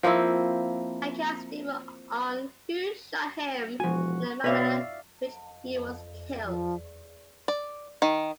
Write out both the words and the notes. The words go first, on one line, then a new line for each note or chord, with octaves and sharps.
Accounts differ on who shot him and the manner in which he was killed.
F3 A#3 C4 E4
E1 F3 F#4 G#5
B2 B4 C#5 D5 E5 F5
F3
D5
D#3